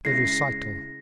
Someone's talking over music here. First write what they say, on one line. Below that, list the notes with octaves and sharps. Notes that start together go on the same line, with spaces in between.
The Recital.
C#3 G#3 E4 A#6 C7